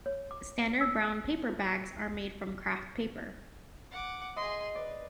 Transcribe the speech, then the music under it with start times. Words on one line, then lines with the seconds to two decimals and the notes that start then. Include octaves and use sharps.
Standard brown paper bags are made from kraft paper.
0.06 C#5
0.31 D6
0.81 E6
1.49 F4
3.91 F#5 D6
4.36 G#4 D#5 C6
4.75 B4 D5